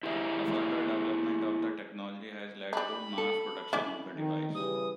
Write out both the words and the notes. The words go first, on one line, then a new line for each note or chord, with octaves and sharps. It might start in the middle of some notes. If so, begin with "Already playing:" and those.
A further development of the technology has led to mass production of the device.
E4 G4 G#4 A#4 D#5 E5
G3 D4 B5
A4
C#4 E4 D5
D#3
C#3 E3 G3 D#6